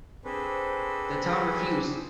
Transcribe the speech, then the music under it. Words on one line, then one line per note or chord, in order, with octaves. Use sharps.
The town refused.
C4 D4 G#4 A4 B4 C5